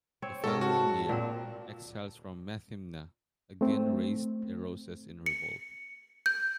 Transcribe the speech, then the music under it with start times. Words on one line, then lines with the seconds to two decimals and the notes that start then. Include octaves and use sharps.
The following year, exiles from Methymna again raised Eresos in revolt.
0.22 C4 C#5
0.44 G#2 A4 A#4 C#6
0.61 F#4 A5
1.09 A#2 C4
3.61 A3 C4
5.26 C#7
6.26 G6